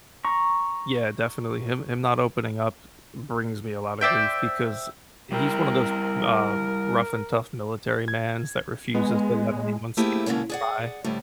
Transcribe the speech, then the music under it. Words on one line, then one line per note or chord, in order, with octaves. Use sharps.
Yeah, definitely, him him not opening up brings me a lotta grief because he's one of those, uh, rough and tough military mans that refuses to let anyone see him cry.
A#5 C#6
C5 D5 E5 G5
G3 E4 A#4 G5
G#6
G#3 B3
A3 A#3 C4 E4 G4 G#4
B2 D3 G#3 A#3 C#4
G#4 D5 F#5
D2 A2 G3